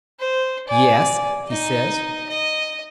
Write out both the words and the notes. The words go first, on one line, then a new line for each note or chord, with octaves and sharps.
"Yes," he says.
C5
D5 G#5
D#4 D#5
D#5